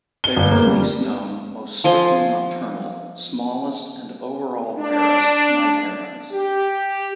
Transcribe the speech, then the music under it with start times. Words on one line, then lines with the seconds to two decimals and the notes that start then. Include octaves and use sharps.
They are the least known, most strictly nocturnal, smallest and overall rarest night herons.
0.24 G7
0.36 G1
0.50 A#3
0.67 G3
1.84 F3 G#5 C6
4.78 D4
6.32 G4